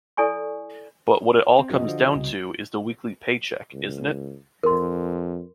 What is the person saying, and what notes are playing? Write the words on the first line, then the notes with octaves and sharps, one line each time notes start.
But what it all comes down to is the weekly paycheck, isn't it?
E4 A4 D5 G#5 C#6
C4
F#2 C3 F3 F#4 D#5
D3 F3
C2 C#3
C#2
F2 A#4 C6